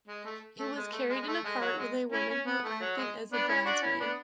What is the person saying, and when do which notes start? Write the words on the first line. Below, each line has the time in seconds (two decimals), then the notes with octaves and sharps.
It was carried in a cart with a woman who acted as bridesmaid.
0.08 G#3
0.25 A3
0.59 A3
0.76 G#3
0.93 A3
1.10 G#3
1.21 G#3
1.28 A3
1.44 G#3
1.61 F#3
1.78 G#3
2.12 C#4 E4
2.29 C#4
2.46 B3
2.64 A3
2.80 F#3
2.97 G#3
3.32 B3 D4
3.48 C#4 E4
3.65 D4 F#4
3.82 C#4 E4
3.99 B3 D4